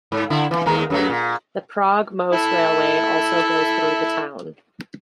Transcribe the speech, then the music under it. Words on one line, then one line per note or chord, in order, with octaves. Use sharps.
The Prague - Most railway also goes through the town.
G#2
D3 E4
E3
D#2 G#3 A#4
F#2 F#3 A3
A#2
E4 A4 E5